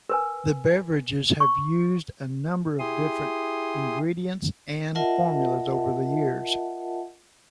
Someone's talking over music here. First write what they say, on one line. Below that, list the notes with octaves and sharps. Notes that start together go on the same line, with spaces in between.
The beverages have used a number of different ingredients and formulas over the years.
A#4 B4 G#5
C#6
E4 G4 G#4 C6 D#6
F4 A#4 D#5 E5 F#5 A5